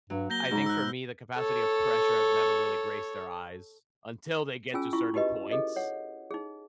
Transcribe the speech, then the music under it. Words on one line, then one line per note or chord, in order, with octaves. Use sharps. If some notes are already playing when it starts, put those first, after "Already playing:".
I think for me, the capacity of pressure has never really graced their eyes, until they get to certain points,
G2 F#3
A#3 G6 A#6 G7
G#2 D#4 B5
E6 F#6
A4 C#5
C#4 F4 G#4 G#5 E6
E4 F4 C#6
D#4 F#4 G4 B4 D#5
G#4 A4 D#5
C#5 F#5
D#4 G#4